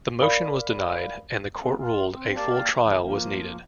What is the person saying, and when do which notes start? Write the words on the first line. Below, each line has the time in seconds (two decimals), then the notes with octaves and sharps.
The motion was denied, and the court ruled a full trial was needed.
0.19 A#4 D5 F5 B5
1.61 C#3 G#3 B3 C4
1.78 F4
2.11 C4
2.36 A#3 G4 D5 F5 A5
2.81 F2 C#3 E3
3.02 F3 A#3